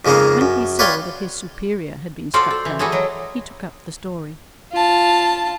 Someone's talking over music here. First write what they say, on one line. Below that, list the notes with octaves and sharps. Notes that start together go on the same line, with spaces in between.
When he saw that his superior had been struck dumb, he took up the story.
F2 C#3 G#3 A#3 D#4
F#2
B4 C#5 D5 F5 G5 C6
F4 F#4 A4 C5 D5
A4
E3
E3 G3 F#4 G#4 A4
F#3 D#5
F4 A5